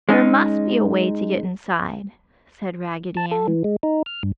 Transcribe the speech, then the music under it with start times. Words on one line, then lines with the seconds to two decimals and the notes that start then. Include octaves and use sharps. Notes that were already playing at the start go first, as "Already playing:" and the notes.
"There must be a way to get inside," said Raggedy Ann.
0.09 G#3 C#4 D#4
3.17 A5
3.31 A4
3.48 E3
3.64 G#3
3.83 D#4
4.06 F6
4.23 G2